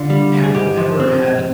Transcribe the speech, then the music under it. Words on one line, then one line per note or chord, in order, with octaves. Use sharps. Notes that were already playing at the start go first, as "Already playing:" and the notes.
have you ever had a
Already playing: D3 F4
G3
D2
G#4
G#2 G4
F3
C4
G#2